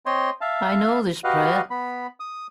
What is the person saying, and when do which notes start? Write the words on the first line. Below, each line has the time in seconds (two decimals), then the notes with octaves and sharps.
I know this prayer.
0.06 C4 C5 C#5 D#5 C6
0.41 E5 F5 A5
1.24 F#4 G4 B4 D#5 F5 F#5
1.71 B3 B5
2.20 D#6